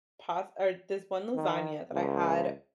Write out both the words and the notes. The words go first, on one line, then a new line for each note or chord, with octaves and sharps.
past or this one lasagna that I had,
D#3
C#2